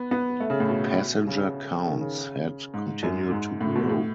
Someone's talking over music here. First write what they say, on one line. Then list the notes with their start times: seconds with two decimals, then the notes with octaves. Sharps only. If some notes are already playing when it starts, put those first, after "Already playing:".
Passenger counts had continued to grow.
Already playing: B3
0.11 B3
0.40 A3
0.50 C#3
0.60 A2
0.69 B2
1.27 C#3
1.86 D#3
2.01 C#3
2.74 G#2
3.03 F#2
3.31 G#2
3.61 A2
3.75 B2
3.89 A2